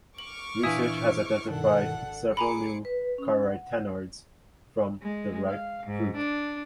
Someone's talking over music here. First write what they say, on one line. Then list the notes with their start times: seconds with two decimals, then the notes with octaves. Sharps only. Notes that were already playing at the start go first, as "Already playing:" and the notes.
Research has identified several new carotenoids from the ripe fruit.
0.18 C#6 D6 F6 F#7
0.63 A#2 E3 D4 E4 B4 F5 G#5 D#6
1.50 G2 B2 D#3 D4 A4 F#5
1.94 G#1
2.37 G#4 G#5 A#5 B5 D6 C#7
2.85 B4
3.18 C#4
3.43 F#5
5.02 G#3
5.48 F5
5.86 G#2
6.15 D4